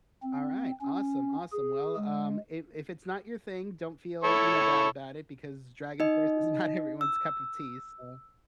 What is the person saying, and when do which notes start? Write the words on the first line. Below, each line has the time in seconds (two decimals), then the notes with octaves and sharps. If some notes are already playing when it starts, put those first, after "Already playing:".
Alright, awesome, awesome, well, um, if if it's not your thing, don't feel, you know, bad about it because Dragon's First is not everyone's cup of tea, so
0.23 C4
0.81 C#4
1.53 G#4
1.97 G#3
4.24 E4 A4 C#5
6.00 D#4 D#5
7.01 E6